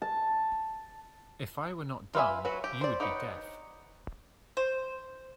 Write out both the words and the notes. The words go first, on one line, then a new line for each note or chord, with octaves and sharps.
If I were not dumb, you would be deaf.
A5
F4 B4 C5 E5 G#5
F#3 F#4 B4
G4
C5 D5
D#4 G4 B4 C#5 F#5
C5